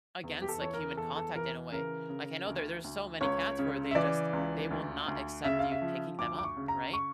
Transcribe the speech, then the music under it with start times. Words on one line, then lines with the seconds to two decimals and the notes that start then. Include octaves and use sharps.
against, like, human contact in a way, like, I know there there's so many cats where they just they will not accept you picking them up, right?
0.24 E2
0.42 G4
0.49 A4
0.61 E3 C#5
0.73 A#4
0.97 E2 A4
1.16 A4
1.35 E3 A#4
1.72 C#3 A#4
2.09 C#3
2.46 D2
2.84 D2
3.21 C#2 C#5
3.59 C#3
3.91 E5
3.95 E3 D5
4.33 C#2
4.71 D2
5.08 D2
5.44 C#3 E5
5.59 F5
5.72 E5
5.82 F3
6.19 D2 D6
6.39 D6
6.44 C#6
6.57 C#3
6.68 A#5
6.93 C#6